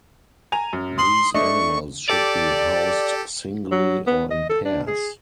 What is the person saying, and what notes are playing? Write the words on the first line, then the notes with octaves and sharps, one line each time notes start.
These animals should be housed singly or in pairs.
G#5 A#5 F7
F#2
C6 D#6 F#7
A3 D4 D#5 C#6
G4 A4 D5
F#3
B3
D#5
A4
D4
G#4